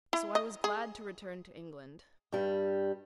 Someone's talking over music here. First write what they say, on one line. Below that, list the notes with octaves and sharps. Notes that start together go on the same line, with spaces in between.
So I was glad to return to England.
E4
D#5
G#4
G2 G3